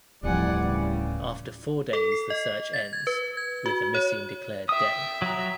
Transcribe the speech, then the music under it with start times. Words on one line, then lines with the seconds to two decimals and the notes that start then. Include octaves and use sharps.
After four days the search ends, with the missing declared dead.
0.23 D1 F2 A2 E3 G3 D5 F#5 G#5
0.62 C#3
1.93 A4
2.12 C7
2.30 D#5
2.73 A6
2.93 G#6
3.07 B4
3.37 G#6
3.66 F#4
3.94 C#5
4.69 E5 G5 D#6
5.22 F#3 A#5